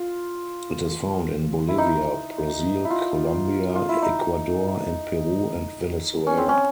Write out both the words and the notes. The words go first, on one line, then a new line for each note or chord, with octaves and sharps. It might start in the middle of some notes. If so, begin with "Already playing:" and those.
It is found in Bolivia, Brazil, Colombia, Ecuador and Peru and Venezuela.
Already playing: F4
E4
D#4
E4
F4
F4
E4
D#4
C#4
C4
C#4